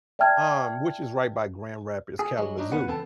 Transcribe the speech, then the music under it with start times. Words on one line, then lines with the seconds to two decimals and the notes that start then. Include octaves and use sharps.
um, which is right by Grand Rapids, Kalamazoo.
0.19 D5 E5 G5 A5 F6 G#6
2.19 G#4
2.38 F#3 G#3
2.58 F#3 D4 D#4
2.72 F2 B2 B3 B4 F#5
2.87 C#2 E3 B3 C4 A4 A5